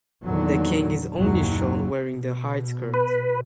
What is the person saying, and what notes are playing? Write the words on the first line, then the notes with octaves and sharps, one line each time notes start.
The king is only shown wearing the hide skirt.
E2 A#2 D3 D#3 F#3
F#1 D#2 A#2 F#3
B2
B4